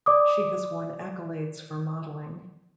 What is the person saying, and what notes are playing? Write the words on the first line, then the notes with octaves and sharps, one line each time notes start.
She has won accolades for modelling.
D5 D6 D#6